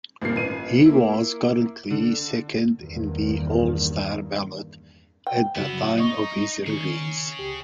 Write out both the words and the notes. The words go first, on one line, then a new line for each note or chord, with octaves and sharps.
He was currently second in the all-star ballot at the time of his release.
G#1 G2 A#2 A#3 F4 C7
A1 D#7
A#3 E4
D3
E2 G2 D#3 A#3
G5
F#2 C#3 F#3 B3 E4
D#4 D#5 C#6
D#3 G#4 C#5
C#2 G4